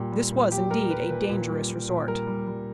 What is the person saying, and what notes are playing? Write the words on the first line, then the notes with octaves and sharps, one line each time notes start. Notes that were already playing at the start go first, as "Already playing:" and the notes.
This was, indeed, a dangerous resort.
Already playing: A#2 G3 G4
G3
A#2
G3 G4
G3 A#4
G3 B4
A#2 B4
A#2
G3
G3
A#2
G3 A#4
G3
G3